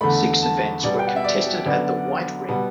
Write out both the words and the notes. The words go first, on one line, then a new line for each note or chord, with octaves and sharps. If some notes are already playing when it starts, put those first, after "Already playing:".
Six events were contested at the White Ring.
E2 D3 A3 B5
A5
B2 G3 B3 D5
G5
F#5
E5
D5
F#2 D3 F#3 B3 D5
B2 G3 B3